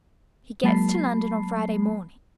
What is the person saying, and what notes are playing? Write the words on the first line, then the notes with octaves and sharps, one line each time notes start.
He gets to London on Friday morning.
F#3 G#3 A#3 A5 B5 C7